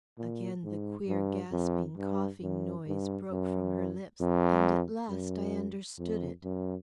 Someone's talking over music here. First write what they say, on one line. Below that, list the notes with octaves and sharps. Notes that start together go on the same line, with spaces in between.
Again the queer gasping coughing noise broke from her lips, and at last I understood it.
A#2
G#2
G2
F2
G2
F#2
G2
F#2
F2
F#2
F2
F#2